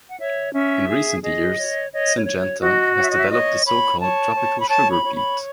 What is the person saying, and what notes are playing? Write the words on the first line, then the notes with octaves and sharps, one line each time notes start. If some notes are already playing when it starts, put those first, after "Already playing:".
In recent years, Syngenta has developed the so-called tropical sugar beet.
F#5
C#5 E5
C#4 E5
G#4
G#4 D#5
C#5
C#5 D#5
C#5
C#5
C#5
F#4 D#5
C#5 F#5
E5
D#5
E5
C#5 D#5
C#5 B5
C#5 A5
C#5
B5
C#5 A5
B5
C#5
B5